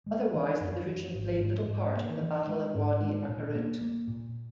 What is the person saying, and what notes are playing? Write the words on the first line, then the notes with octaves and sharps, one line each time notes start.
Otherwise the division played little part in the Battle of Wadi Akarit.
G#3
E3
F#2
E3
G#1
G#2
G#2
A#3
E3
G#3
G#2
G#3
A#2
A#3
A#3
A#2